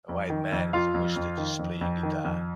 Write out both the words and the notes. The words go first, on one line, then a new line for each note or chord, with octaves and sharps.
A white man with a mustache is playing guitar.
F2
D#3
F2
F2 F4 F5
F2
F2
D#3
F2
F2
D#3
F2